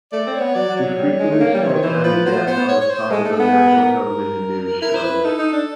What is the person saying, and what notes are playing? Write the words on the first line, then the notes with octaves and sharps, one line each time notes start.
He frequently spoke as a guest on this topic on national television news shows.
A3 D5
C4
C#5
B3
F#3 D5
F#3
C#5
F#3
G3
G#3
A3
A#3
G3
E3
D#3
E3 C5
F3 B4
F#3 C5
F3
B3 C5
B3
C#5
C#5
C5
G#3 A4
A3
A4
B3
G#4
B4
A#4
E4 A#4
C5
B4
D#4 A4
D#4
D4